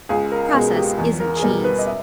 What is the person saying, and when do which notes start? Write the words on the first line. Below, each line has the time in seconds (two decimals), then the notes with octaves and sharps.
Process isn't cheese!
0.09 C#2 G#4
0.32 A#4
0.54 B2 G#3 G#4
0.76 G4
0.98 E2
1.20 A#4
1.37 G#4
1.42 B2 G3 A#4
1.64 B4
1.79 D#5
1.87 E5